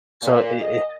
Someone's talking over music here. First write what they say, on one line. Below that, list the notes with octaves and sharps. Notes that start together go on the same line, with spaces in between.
So it it
A#2
D#5